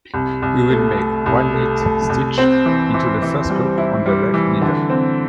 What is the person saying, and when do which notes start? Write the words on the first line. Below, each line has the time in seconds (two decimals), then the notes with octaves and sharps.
We will make one knit stitch into the first loop on the left needle.
0.14 C2
0.42 C2
0.70 A3
0.97 A3
1.26 C2
1.54 A3
1.82 A3
2.09 C2
2.38 C4
2.66 E3
2.94 E3
3.22 E3
3.50 G3
3.78 E4
4.06 G3
4.34 E3
4.61 D3
4.90 C4